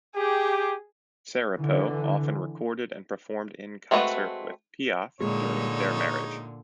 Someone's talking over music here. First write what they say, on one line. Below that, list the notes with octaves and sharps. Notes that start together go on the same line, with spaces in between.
Sarapo often recorded and performed in concert with Piaf during their marriage.
G4 G#4
D3 E3
G#3 A3 C4 F#4 B4
A#2 D3 G#3 D#4 C#5